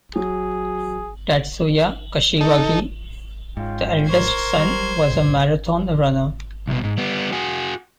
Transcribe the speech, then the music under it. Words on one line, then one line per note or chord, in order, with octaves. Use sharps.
Tatsuya Kashiwagi, the eldest son, was a Marathon runner.
F#3 G#4
D#4 A4
G#2 C#4 F4 G5
A#4 C5 C#6 G#6
F#3 G3
B1 G2 C#3
C2 B2
G#2
G3 B3
F#4 G#4